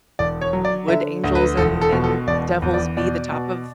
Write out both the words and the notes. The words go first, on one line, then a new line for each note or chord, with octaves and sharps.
w w would angels and and devils be the top of
E1 D5
C#5
F#3
D5
D3 E5
D2
B4
E1 A4
A4
B2
A4
E1 D5
E2
D5
B2 D5
B2